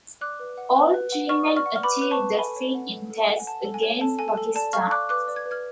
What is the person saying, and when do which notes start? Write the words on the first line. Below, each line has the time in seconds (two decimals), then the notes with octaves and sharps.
All three men achieved the feat in Tests against Pakistan.
0.21 D5 D6 F#6
0.40 B4
0.57 F#5
0.76 B4
0.94 B4
1.12 F#5
1.29 D5 C#6 F6
1.48 D5
1.56 C#6 F6
1.66 F#5
1.76 F6
1.83 B4 B5 D6
2.01 B4
2.11 A5 C#6
2.20 B4
2.38 A4 G#5 B5
2.56 C#5
2.74 F#5
2.92 A4
3.10 A4
3.28 F#5
3.39 G#5
3.47 F#5 A5
3.65 A4
3.74 G#5
3.83 C#5
4.01 A4 A5
4.19 A4 G#5
4.28 A5
4.37 A4
4.55 D5 A5
4.73 F5 C#6 F6
4.91 D5 D6 F#6
5.09 B4 D6 F#6
5.28 D5
5.36 G#6
5.46 B4
5.51 F6 G#6